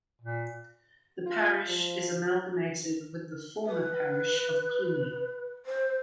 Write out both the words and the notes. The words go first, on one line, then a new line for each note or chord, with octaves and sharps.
The parish is amalgamated with the former parish of Clooney.
A#2
F4
F3
B4
C5